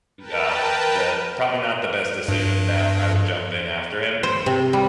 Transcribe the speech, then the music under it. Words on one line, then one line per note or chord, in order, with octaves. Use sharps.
um, the, probably not the best decision that I would jump in after him,
A#4 B4 G5 A5
G2
C5
C3
G3